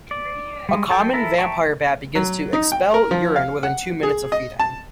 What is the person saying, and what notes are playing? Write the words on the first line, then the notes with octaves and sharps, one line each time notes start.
A common vampire bat begins to expel urine within two minutes of feeding.
D5
G3 G#3
F#3 A4 G5
E4 A4 A#4 E5 A#5
E5 G5 A5 A#5 C#6
F#3
D#4
G5
A#4
F3
F5
F#5
G#4
D#5
A5